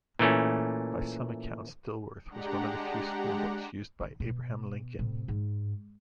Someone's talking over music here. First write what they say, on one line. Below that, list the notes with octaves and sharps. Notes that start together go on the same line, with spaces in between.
By some accounts Dilworth was one of the few schoolbooks used by Abraham Lincoln.
A#2 E3 A3 C#4
G#3 D4 G4 F#5 A#5
D3
B2
A2 C3
G#2